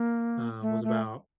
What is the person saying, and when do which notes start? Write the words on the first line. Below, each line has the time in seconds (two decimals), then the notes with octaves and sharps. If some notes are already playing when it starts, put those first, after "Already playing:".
um, was about,
Already playing: A#3
0.62 A3
0.84 A3